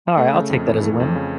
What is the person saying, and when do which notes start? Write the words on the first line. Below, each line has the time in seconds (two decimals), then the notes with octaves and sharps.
Alright. I'll take that as a win.
0.17 A3
0.34 C#3
0.50 F2
0.67 E3
0.83 A3
1.00 F2
1.16 C#3